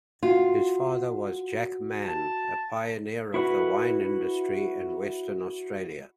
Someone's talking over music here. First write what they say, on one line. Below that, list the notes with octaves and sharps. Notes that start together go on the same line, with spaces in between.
His father was Jack Mann, a pioneer of the wine industry in Western Australia.
F4 F#4 F#5
A5
E4 F#4 B4